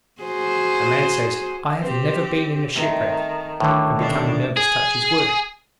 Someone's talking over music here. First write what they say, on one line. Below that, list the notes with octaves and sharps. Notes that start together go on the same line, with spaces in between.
A man says, "I have never been in a shipwreck," and becoming nervous touches wood.
F#4 G#4 C5
C4 G4 C5
D#3 A3 C4
D2 A2 D3 D#3
B2 D4
G#4